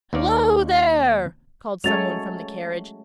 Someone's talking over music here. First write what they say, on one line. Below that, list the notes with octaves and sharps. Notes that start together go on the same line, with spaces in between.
"Hello there!" called someone from the carriage.
D#2 D#4 D5 F5
F#3 G#3 A3 C#4 C#5 A6 F7